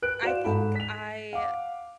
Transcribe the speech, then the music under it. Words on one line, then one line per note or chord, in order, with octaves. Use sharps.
I think I
B4 F#6 D7
F#4 C5 D5 F5 E7
G#2 A4 B5
B6 F7
F5 F#5 D6